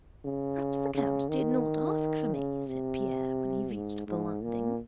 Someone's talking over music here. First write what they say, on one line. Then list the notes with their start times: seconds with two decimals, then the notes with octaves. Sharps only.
"Perhaps the count did not ask for me," said Pierre when he reached the landing.
0.25 C#3
0.94 C#3
1.29 D#3
2.33 C#3
2.68 C3
3.73 G#2
4.07 G#2
4.43 A#2